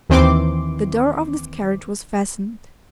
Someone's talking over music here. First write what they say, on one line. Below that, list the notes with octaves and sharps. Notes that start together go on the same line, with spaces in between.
The door of this carriage was fastened.
D#2 D#3 E3 C4 C6 D6